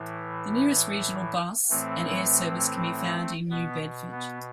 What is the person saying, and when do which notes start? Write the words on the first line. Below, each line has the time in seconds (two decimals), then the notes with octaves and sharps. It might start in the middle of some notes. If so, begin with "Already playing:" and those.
The nearest regional bus and air service can be found in New Bedford.
Already playing: A2 E3
1.70 A2 E3 A3 C4
3.50 B2 B3
4.11 B3